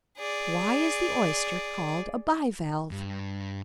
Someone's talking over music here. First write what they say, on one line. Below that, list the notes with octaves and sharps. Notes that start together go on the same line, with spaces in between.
Why is the Oyster called a bi-valve?
G#4 D5
G2